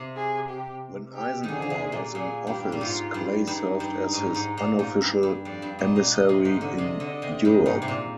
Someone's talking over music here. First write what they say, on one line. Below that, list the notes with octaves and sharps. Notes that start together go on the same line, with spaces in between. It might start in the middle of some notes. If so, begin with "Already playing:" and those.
When Eisenhower was in office, Clay served as his unofficial emissary in Europe.
Already playing: C3
G#4
G4
G4
D3 D#3 G#4
D3
C3
A#2
A#2 G#4
G2 G4
A#2
G#2 F4
G2
G2 D#4
G2
G#2
G#2
A#2
G#2
G2
G2
F2 D5
G2
A#2 D#5
A#2
D#5
C3
G#2 D#5
D3
C3 D#5
D3
C3
G2
G#2
C3
A#2